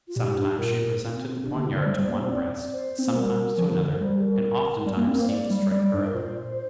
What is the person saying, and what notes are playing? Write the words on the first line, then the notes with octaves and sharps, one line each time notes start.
Sometimes she presented the poniard to one breast, sometimes to another, and oftentimes seemed to strike her own.
F4
A#2 G4
G2
A#2 A#4
A#3
C4
C4
C3 D4
D3 A#3
C3 C4
D3 C5
G3 D5
C5
D5
A#3
C5
C4 D5
C5
C4
A#3
G3 A#4
F3
D3
G3 C5
G4
A#4
G3
A#3
C4
A#4
A#3
C5
A#3 D5
G3
G3 D5
G2
A#4
A#2 C5